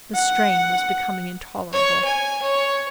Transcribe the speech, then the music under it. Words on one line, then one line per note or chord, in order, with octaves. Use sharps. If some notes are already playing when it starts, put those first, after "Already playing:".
The strain was becoming intolerable.
F#5
C#5
G#5
C#5